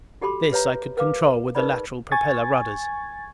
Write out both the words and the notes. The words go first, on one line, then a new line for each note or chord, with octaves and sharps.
This I could control with the lateral propeller rudders.
F#4 G4 A4 B5 C6 D6
G4 B4 C#5 E5 A#5
A#4 B4 F5 D6
D#4 G#4 A#4 B4 D5 B5
G#5 C#6 G#6 A6